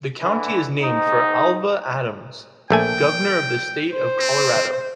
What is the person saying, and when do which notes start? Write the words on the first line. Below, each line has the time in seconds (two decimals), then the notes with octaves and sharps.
The county is named for Alva Adams, Governor of the State of Colorado.
0.20 D3 E3
0.82 G#2 D#4
2.70 A#1 A3 G5 G#5
3.91 C5
4.19 C4